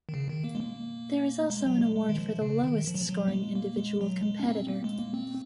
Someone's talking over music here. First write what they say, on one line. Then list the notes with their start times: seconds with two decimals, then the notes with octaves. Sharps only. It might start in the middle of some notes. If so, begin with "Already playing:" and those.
There is also an award for the lowest scoring individual competitor.
0.09 D#3
0.14 C#3
0.29 D#3
0.44 A#3
0.55 G#3
0.60 A#3
1.50 G#3
1.66 F#3
1.81 G#3
1.96 G#3
2.09 D#3
2.18 F3
2.42 C#3
2.64 D#3
2.87 F3
2.94 F#3
3.01 F3
3.09 F#3
3.28 A#3
3.33 G#3
3.55 A#3
3.77 G#3
4.01 F#3
4.23 G#3
4.40 C#4
4.46 C4
4.68 A#3
4.84 G#3
4.99 A#3
5.14 C4